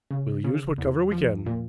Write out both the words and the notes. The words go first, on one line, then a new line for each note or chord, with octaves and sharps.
"We'll use what cover we can."
C#3
C#3
E2
F3
A#2